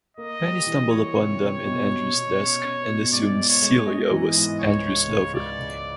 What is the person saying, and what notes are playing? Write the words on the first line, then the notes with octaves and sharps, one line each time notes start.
Penny stumbled upon them in Andrew's desk, and assumed Celia was Andrew's lover.
A#3 D#5
G3
E3
A#3 C#5
C3
C3
B2
B2
B2
C#4
C#4
B2
G#2 D5
G#2
C#5
G#3
G#3 D#5
E3
G#2
C#2 C#5
C#3
C#3
C#2 D5
C#3